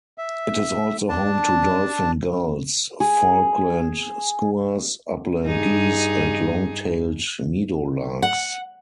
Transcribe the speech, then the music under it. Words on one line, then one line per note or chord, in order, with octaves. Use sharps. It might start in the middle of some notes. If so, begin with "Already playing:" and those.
It is also home to dolphin gulls, Falkland skuas, upland geese and long-tailed meadowlarks.
E5
D4 A5
G#4
G2 D#4 G#4
F#5